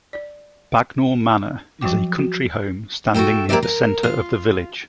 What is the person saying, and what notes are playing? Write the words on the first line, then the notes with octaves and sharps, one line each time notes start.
Bagnor Manor is a country home standing near the centre of the village.
D5
F3 F#3 F#4 G5 D6
F#4
F#4 A4 A#4 E5 G5
A#3 C4 F#4 G4 D5 E5
A#4
F4